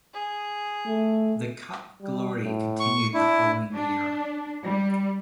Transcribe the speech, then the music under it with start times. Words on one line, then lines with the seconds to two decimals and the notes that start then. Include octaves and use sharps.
The cup glory continued the following year.
0.14 G#4
0.87 A3
2.02 G3
2.44 A2
2.80 C#6
3.14 D4 E4
3.74 D4
4.65 G3